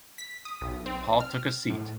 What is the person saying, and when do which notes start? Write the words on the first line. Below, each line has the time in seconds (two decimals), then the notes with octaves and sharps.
Paul took a seat.
0.18 B6
0.45 D#6
0.61 B1
0.86 C4
1.20 F6
1.70 A2